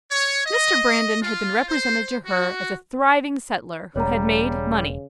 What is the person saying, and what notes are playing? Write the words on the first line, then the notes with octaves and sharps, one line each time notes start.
Mr. Brandon had been represented to her as a thriving settler who had made money.
C#5
D#5
F4
C5
F#4
E1 C#3 G3 C#5 A#5